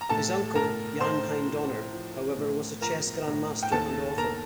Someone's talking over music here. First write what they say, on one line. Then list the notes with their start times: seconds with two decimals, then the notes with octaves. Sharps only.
His uncle Jan Hein Donner, however, was a chess grandmaster and author.
0.01 A#5
0.09 A2 A4 A5
0.55 A2 A#4 A#5
1.00 A2 C5 C6
1.45 F3
1.92 F3
2.37 A2
2.81 F3 A#4 A#5
3.27 A2
3.63 G5
3.72 D#2 A4 A5
4.17 D#2 A#4 A#5